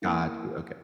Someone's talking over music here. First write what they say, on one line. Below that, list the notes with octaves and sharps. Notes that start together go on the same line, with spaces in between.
Got you. Okay.
E3 A#3